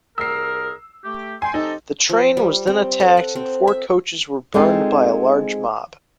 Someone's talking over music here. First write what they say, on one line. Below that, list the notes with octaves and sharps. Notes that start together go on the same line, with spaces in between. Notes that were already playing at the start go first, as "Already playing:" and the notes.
The train was then attacked and four coaches were burned by a large mob.
C2 G#4 A#4 E6 C7
A3 G4
G5 G#5 C6
C4 D#4 G4 A4
F3
G3
C4
A4
F#5
C4
E5
G#3 C4 D#4 F4 G#4 A4